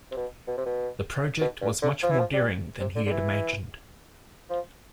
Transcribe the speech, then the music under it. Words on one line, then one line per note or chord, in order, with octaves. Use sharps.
The project was much more daring than he had imagined.
C3
B2
B2
C3
B2
B2
G2
D3
F3
E3
F3
G3
C3
D3
D3
E3
F3